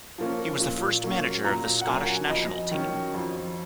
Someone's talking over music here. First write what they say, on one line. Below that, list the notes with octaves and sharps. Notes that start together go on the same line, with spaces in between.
He was the first manager of the Scottish national team.
F3 A#3 C#4
A#2
F#3 A#3 C#4
A#2 A#5
F#5
F#3 A#3 C#4 G#5
F2 D#5
D#3 F#3 C#4
F2